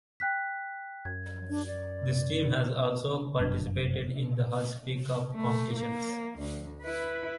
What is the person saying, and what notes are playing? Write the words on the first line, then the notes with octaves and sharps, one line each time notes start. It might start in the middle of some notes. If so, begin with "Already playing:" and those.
This team has also participated in the Hazfi Cup competitions.
G5 F#6 B6
F#2 G#6
D4
D5
G1 F#2 C#3 D4
A3
A#3
D2
E4 B4